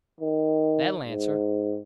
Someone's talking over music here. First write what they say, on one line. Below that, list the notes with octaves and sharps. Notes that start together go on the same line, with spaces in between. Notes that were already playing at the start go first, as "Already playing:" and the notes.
That'll answer.
D#3
G#2